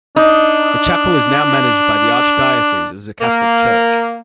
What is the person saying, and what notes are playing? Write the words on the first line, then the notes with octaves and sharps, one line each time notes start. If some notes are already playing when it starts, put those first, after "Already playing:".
The chapel is now managed by the Archdiocese as a Catholic church.
D4 D#4
A#3